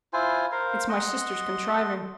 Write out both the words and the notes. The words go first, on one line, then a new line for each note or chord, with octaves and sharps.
It's my sister's contriving.'
E4 F4 C5 G#5
A#4 C5 F5
D#5 F#5 C6